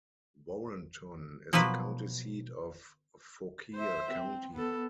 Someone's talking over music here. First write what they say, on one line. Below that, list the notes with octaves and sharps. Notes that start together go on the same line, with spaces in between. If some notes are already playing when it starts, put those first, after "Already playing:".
Warrenton is the county seat of Fauquier County.
B2 F3 F#3 A#3 B4
C5 E5
C4
B3 A4